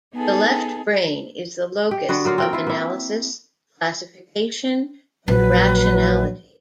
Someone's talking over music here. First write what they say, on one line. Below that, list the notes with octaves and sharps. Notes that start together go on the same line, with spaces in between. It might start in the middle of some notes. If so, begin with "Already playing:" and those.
The left brain is the locus of analysis, classification, and rationality.
B3 D#4 G#4 A4
G4
D3 B3 F#4
F#3 A#3 F4 F#4
C4 A#4 G5
E4 F4
A#3 E4
A#1 F#3 B4